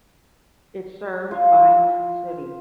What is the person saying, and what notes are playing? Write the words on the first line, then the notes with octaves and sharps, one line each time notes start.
It serves Bhind city.
F4